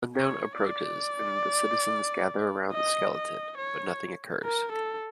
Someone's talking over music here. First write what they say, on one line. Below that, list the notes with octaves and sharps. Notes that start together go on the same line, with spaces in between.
Sundown approaches and the citizens gather around the skeleton, but nothing occurs.
C#5
D5
D#5
D#5
C#5
A#4
A4